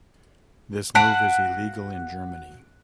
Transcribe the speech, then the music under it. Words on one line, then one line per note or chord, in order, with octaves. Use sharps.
This move is illegal in Germany.
F#4 F5 F#5 A5 F#6 B6 D7